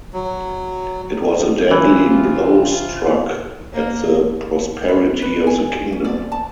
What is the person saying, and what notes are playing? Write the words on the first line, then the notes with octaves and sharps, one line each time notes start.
It was a deadly blow struck at the prosperity of the kingdom.
F#3
C3 E3 F4
A#3
B4
B4
G#5
C#4
D5
A5